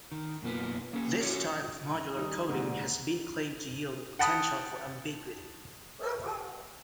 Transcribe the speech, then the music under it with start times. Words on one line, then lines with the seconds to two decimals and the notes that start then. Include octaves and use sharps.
This type of modular coding has been claimed to yield a potential for ambiguity.
0.12 D#3
0.42 F#2 B2 A#3 F4 B4
0.93 A#3 C#4 A4
1.21 C#4 F#4 A4 C#5
2.16 D#3 G3 D#4
2.48 A#1 G#2 D3
4.19 F#5 G5 A5 B5 D#6